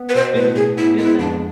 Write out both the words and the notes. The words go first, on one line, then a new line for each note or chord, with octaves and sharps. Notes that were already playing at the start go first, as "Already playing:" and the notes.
Is it Do they?
Already playing: B3
B4
B2 C5
A2 B4
A2 G#4
B3 E4
G#3 E4
F2 D4